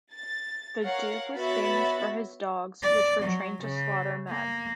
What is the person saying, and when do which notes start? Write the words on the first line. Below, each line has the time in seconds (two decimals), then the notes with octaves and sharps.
The duke was famous for his dogs, which were trained to slaughter men.
0.14 A6
0.82 A#4 C#5 F5 F#5
1.36 B3 F#4 C#5 E5 B5 A6
2.82 D5
3.22 F#3
3.61 C#3
4.28 A#3